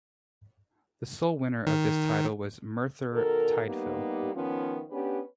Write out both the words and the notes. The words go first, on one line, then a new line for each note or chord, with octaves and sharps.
The sole winner of this title was Merthyr Tydfil.
D#3
B2 D#3 A4 A#4
G3 A#3 B3 D#4 G4
D#3 F3 B3 C#4 F4
B3 C#4 D4 G4 B4